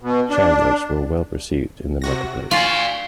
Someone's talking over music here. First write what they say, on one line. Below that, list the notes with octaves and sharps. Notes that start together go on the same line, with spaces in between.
Chandlers were well received in the marketplace.
B2
D4
C3 F#4 A#6
F4 D5 F5 G#5 C#6